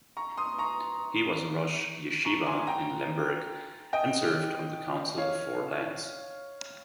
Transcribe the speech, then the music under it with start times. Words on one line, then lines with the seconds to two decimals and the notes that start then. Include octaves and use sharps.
He was Rosh Yeshiva in Lemberg and served on the Council of Four Lands.
0.17 A#5 C#6
0.37 C6 D#6
0.58 A#5 C#6
2.25 A#5 C#6
2.46 G#5 C6
2.67 G5 A#5
3.93 D#5 G5
5.18 C#5 F5